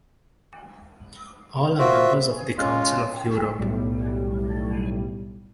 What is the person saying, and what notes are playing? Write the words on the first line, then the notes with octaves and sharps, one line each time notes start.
All are members of the Council of Europe.
A#3 C4 F4 F#4 E5
G#3 C#4 F4
B1 A2 G3